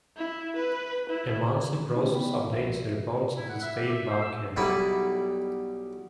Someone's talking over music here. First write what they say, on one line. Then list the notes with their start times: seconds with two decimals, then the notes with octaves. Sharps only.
A monthly process updates the reports at the State Bank end.
0.16 E4
0.57 B4
1.10 E4
1.95 A3 C#4 D#4 E4 G4 D5
2.14 B3 G5 B5
2.51 C2 F3 E5
3.37 E4
3.49 F#5
3.62 E5
3.76 G4
3.89 E5
4.10 C5
4.22 E6
4.56 B1 G3 D#4 E4 B5